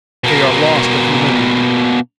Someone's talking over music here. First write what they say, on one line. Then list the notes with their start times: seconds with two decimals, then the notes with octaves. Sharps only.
We are lost if you move.
0.24 B2 A#3